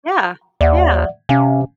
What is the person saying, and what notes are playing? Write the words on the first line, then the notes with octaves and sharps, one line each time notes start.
Yeah. Yeah.
D#2 D5 E5 F#5
C3 C#4 F5 G#5